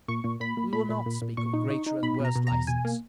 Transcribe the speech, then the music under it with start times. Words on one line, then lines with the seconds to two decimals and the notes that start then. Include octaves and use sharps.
We will not speak of greater and worse license.
0.08 A#2 C#6
0.24 A#2
0.40 A#2 B5
0.57 A#2
0.73 A#2 B5
0.89 A#2
1.06 A#2
1.22 A#2
1.37 A#2 C#6
1.54 D#4
1.70 D#4
1.86 D#4
2.03 B2 B5
2.20 B2 A#5
2.36 B2
2.47 E2 A#5
2.67 B2 G#5
2.85 A#3